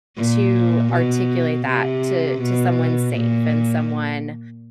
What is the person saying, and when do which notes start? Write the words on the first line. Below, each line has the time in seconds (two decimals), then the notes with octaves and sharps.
to articulate that to to someone safe and someone,
0.17 A#2
0.92 B2
1.66 C3
2.41 B2
3.15 A#2